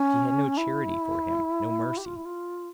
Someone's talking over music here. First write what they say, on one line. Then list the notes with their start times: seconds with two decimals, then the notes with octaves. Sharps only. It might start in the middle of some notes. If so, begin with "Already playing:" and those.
She had no charity for him, no mercy.
Already playing: C#4
0.57 E4
1.98 G4
2.06 F4
2.16 E4
2.25 F4